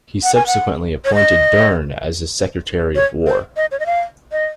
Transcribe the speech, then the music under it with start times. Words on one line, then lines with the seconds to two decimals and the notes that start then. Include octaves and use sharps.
He subsequently appointed Dern as his Secretary of War.
0.23 F#5
0.35 G#5
0.47 F#5
1.05 C#5
1.14 D#5
2.95 C#5
3.27 C5
3.57 D#5
3.71 C#5
3.80 D#5
3.86 F5
4.32 D#5